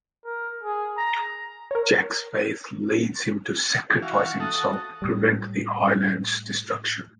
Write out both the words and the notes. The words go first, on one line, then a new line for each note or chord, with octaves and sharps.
Jack's faith leads him to sacrifice himself to prevent the island's destruction.
A#4
G#4
A#5
A#4 C#5
E3 F#4 F5
F#4 A4 D#6
A2 G3